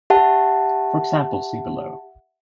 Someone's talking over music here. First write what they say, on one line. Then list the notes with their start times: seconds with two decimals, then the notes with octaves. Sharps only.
For examples see below.
0.10 G4 E5 F#5 A5